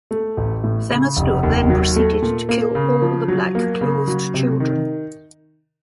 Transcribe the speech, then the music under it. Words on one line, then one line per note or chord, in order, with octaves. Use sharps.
Themisto then proceeded to kill all the black-clothed children.
A3
A1
A2
C#3
F1
D#2
F#3
A3
A#2
A#3
C#3
F3
F#3
A#3
C#3
F#3
C3
D#3